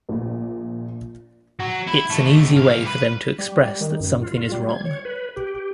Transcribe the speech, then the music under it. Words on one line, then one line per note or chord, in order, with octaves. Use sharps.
It's an easy way for them to express that something is wrong.
A#1 A#2
F#3
E4
D#2 A3
C2 F5
B4
G3
D#3
F#2
F4
F4
G3
G#6
C#5
B4
G4